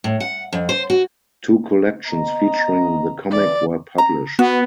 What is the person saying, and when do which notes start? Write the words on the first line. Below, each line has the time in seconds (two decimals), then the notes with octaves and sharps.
Two collections featuring the comic were published.
0.04 A2
0.20 F#5
0.53 F2
0.69 C5
0.90 F#4
2.07 B3 D#5 A#5
3.31 D#2 D3 E3 D5
3.98 A#5
4.39 B3 F#4